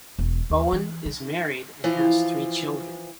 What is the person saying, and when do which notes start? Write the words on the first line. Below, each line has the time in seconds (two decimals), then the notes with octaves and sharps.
Bowen is married and has three children.
0.19 E1
0.50 D#2
0.73 E3
1.06 D#4
1.84 E3 F3 F4